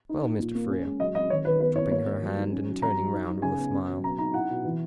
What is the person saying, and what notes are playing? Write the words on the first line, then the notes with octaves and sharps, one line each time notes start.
"Well, Mr. Frere," dropping her hand, and turning round with a smile.
D#4
D#4
A#2
A#3
C#4
G#3
F#3 D#5
F#3 D#5
D#3 C#5
D#3 B4
B3 B4
E4 C#5
A#3 C#5
A#3
F#3
D#4
C#4
F#3
F#3 A#5
F#3
D#4
D#4
C#3 G#5
B3
C#4
F#3
B2 A#5
D#4 A#5
E4 F#5
B2
E3